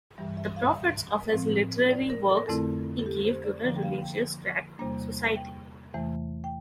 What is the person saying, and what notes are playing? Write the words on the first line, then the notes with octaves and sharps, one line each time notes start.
The profits of his literary works he gave to the Religious Tract Society.
G2 E3 G3 E5
E5
F5
E5
A2 F3 C4
D5
A#4
A4
A#4
F2 D3 A3 C4 E4 A4
A4
G4
C5
D5
D3 F3 A#3 D4
G5
F5
G5
E2 C3 G3 A#3 D4
G5
E2 C3 E3 A3
G5